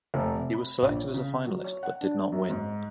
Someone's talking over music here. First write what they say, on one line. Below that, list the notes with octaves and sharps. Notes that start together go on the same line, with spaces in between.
He was selected as a finalist but did not win.
F1
C3
B5
A#1
C#5
C#3
F#3
C#5
F#5
D4
F#2
G#2